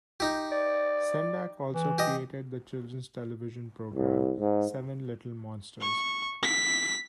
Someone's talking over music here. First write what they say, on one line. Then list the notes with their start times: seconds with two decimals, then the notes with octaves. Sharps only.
Sendak also created the children's television program "Seven Little Monsters".
0.20 D#4 G4
0.52 D5
1.73 E3
1.98 G4 D#5
3.94 C2
4.39 G#2
5.81 C#6
6.43 B6